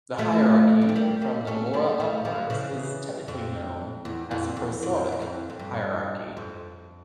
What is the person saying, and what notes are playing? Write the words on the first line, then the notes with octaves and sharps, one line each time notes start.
The hierarchy from the mora upwards is technically known as the prosodic hierarchy.
F3 A3
G3
A3
G3 A#3
G3 A#3
A3 C#4
G3 A#3
F3 A3
D3 F3
C#3 E3
F2
E2
F2
E2
F2
E2
F2
F2
G2
F2